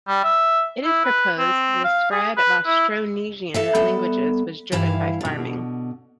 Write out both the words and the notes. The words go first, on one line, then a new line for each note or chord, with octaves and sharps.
It is proposed that the spread of Austronesian languages was driven by farming.
G3
E5
E4
B4
C4
F5
G#4
B4
E4
A4 E5 F5
G3 B3 A4
G2 E3 E4 F5
B2 D3